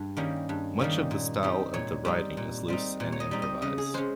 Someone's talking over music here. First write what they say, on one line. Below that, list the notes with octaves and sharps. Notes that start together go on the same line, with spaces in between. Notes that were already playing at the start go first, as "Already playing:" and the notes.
Much of the style of the writing is loose and improvised.
Already playing: G2
D#3 G3 A#3 C#4
G2
D#3 G3 A#3 C#4
A#2
G3 C4 D#4
A#2 C#5
G3 C4 D#4
A#2
G3 C4 D#4
A#2
C#5
D#5
G3 C4 D#4
D#5
C#3 D#5
G#4
G#3 C#4 C5